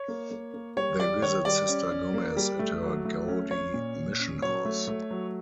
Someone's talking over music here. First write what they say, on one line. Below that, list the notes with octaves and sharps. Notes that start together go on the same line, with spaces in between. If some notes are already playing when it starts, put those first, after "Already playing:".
They visit Sister Gomez at her gaudy mission house.
Already playing: C#5
A#3
A#3
A#3
G3 C#5
G3 D5
D#3 C#5
G3 D5
C#4
C#4
A#3
G3
A3
F#3
A3
C#4
C#4 C#5
A#2
A#2
C#4
F#3 C#5
A3
A3
F#3